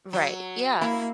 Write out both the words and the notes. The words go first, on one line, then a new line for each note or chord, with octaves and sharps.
Right. Yeah.
F#3
A#3 E4